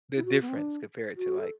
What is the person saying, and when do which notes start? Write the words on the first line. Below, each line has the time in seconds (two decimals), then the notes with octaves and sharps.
the difference compared to like
0.16 E4
0.25 F#4
0.41 B3
0.48 C4
0.56 D4
1.17 F#4
1.39 A4